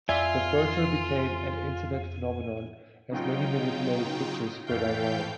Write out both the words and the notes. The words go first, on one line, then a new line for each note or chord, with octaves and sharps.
The photo became an Internet phenomenon as many manipulated pictures spread online.
F2 F4 D5 E5 G#5
C#3 F#3 D#4 F4 G5
F2 E3 A3 F5 G5 G6